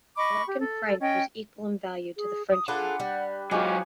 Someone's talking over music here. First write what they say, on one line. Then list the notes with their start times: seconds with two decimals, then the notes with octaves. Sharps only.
The Moroccan franc was equal in value to the French franc.
0.17 D#5 B5 C#6 D6
0.47 G4
0.61 A4
1.00 C#4 D#5 G5
2.17 G#4
2.51 D#6
2.68 D4 F4 G#4 A4 B4 F#5
3.00 G3
3.51 F#3 G#3 F4 G4 C#5 G#5 D6